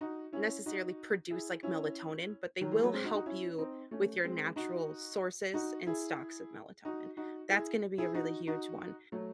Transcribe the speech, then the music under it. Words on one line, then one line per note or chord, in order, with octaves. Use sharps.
necessarily produce like melatonin, but they will help you with your natural sources and stocks of melatonin. That's gonna be a really huge one,
D#4 F#4
C#4 E4
D#4 F#4
E4 G#4
C#4 E4
D#3 F#3
E3 G#3
F#3 A3
G#3 C4
D#4 F#4
D#4 F#4
C#4 E4
C4 D#4
A3 C#4
G#3 C4
D#4 F#4
D#4 F#4
E4 G#4
D#4 F#4
D#4 F#4
E4 G#4
E4 G#4
D#4 F#4
D#4 F#4
F#3 A3